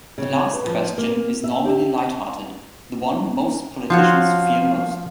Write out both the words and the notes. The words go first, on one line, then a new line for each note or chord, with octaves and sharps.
The last question is normally light hearted - the one most politicians fear most.
C#3
B4
F3
A#3
E5
G4
F3 F4 F#4 C#5 F5